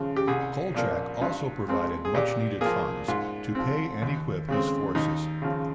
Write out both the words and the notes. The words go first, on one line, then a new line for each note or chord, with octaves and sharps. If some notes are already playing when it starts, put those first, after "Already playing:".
Kolchak also provided much-needed funds to pay and equip his forces.
Already playing: D#2 C#3 F3
G4
C2 G#4
A#2 F3 A#3
G2 F4
F3 G#3 C4
G#4
A#2 G4
F3 A#3 G#4
G#2 F4
F3 C4
D#2
C#3 G#3 C4
D#2 D#4
C#3 F3